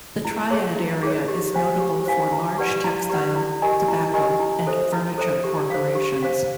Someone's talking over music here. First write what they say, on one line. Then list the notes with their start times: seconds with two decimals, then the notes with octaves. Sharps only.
The Triad area is notable for large textile, tobacco, and furniture corporations.
0.25 E4
0.50 G#4 C#5
0.76 E4
1.03 G#4 C#5
1.28 G4
1.54 C5 F5 G#5
1.80 G4
2.06 C5 F5 G#5
2.32 E4
2.58 G4 B4 D5 F#5
2.84 E4
3.10 G4 B4 D5 F#5
3.36 E4
3.62 G4 A#4 D#5 G#5
3.88 E4
4.14 G4 A#4 D#5 G#5
4.40 E4
4.67 A4 C5 E5
4.93 E4
5.18 A4 C5 E5
5.44 G4
5.70 C5 F5
5.95 G4
6.22 C5 F5